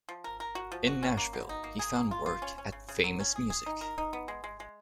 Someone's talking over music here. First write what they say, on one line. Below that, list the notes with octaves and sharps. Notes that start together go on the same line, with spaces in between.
In Nashville, he found work at Famous Music.
F3
A#4
A#4
F#4
F3
F#4
C#4
A#3
B2
D#4
A#3
G#4
A#3
F4
F4
C#4
C#4
C#3
C#3
F#3
C#4
G#4
G#4
D#4
A#4
D#4
B3
G#3
G#3
G#3